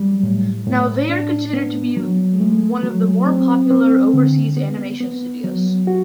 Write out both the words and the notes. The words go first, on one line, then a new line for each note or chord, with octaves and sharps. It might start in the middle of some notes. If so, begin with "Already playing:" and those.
Now they are considered to be one of the more popular overseas animation studios.
Already playing: F#3 G3
A2
A2
D4
B3
F#3
A3
F#3
C4
C4
D3
B3
B3
F#3
F#4